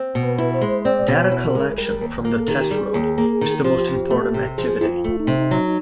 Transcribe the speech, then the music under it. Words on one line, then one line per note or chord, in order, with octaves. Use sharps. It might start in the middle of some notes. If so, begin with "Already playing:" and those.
Data collection from the test road is the most important activity.
Already playing: C4
B2
B4
E4
C5
G#3
C4 D5
B2
C#5
E4
A#4
G#3
G3 A#4
D#2
A#3
A4
D#3 G#4
G4
G3 G#4
D#2
A#3
D#3
F3 G4
F2
A3
C3
F3 G#4
F2 E4
F4
A3
D#4
C3
F#3